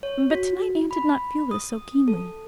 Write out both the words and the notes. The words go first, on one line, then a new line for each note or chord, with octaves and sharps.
But tonight Anne did not feel this so keenly.
C#5
F#4
B5
D#6
A4